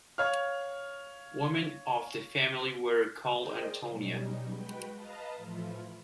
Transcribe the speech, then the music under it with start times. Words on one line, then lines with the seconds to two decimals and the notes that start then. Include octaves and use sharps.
Women of the family were called "Antonia".
0.18 C#5 F5 F6
3.37 G#4 A#4 C5 D5 D#5 G5
3.88 B2 F#3 G3 C#4 D#4
4.48 G#3 F#4 B4 G5
4.94 B4 D#5 F5 A5 A#5
5.36 A2 E3 F3 E4 F4